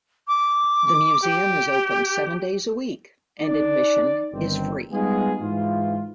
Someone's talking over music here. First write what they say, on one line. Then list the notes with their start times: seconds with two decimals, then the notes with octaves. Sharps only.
The museum is open seven days a week and admission is free.
0.27 D6
1.22 G4
3.40 D#4 D5
4.33 G1 D#3 C4
4.91 G3 G#3 B3 D#4 F4 G#4
5.40 G#2 E3 F4